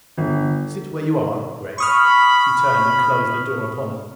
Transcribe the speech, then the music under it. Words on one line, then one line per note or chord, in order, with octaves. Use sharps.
"Sit where you are, Gregg." She turned and closed the door upon us.
G1
B5 C#6 D#6 F6